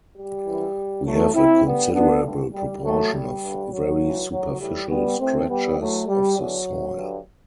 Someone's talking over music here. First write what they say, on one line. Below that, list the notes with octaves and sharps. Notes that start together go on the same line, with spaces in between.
We have a considerable proportion of very superficial scratchers of the soil.
G3
F#2 E3
G2 D3 F#3 A3
C4 E4
G2 D3 G3 B3
B3 D4
G2 D3
G3
F#2 D3 F#3 A3
G3
G2 D3
F#3
G2 E3
F#3
A2 E3 G3
G3 B3
G2 E3 A3 C4
G3 B3
A2 E3 F#3 A3
G3
E2 D3 F#3
G2 D3